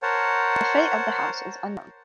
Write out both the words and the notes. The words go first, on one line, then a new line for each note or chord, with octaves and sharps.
The fate of the house is unknown.
A#4 C5 C#5 F#5 A5